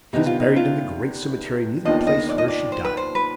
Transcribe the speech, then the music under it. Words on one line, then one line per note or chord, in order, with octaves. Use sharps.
She is buried in the great cemetery, near the place where she died.
C3 D#3 B3 D4 D#4
F4
D#4
F4
D#2 D#3 B3 D4 F4 D#5
D#5
D5
D#5
D5
C5
B4
C5
B4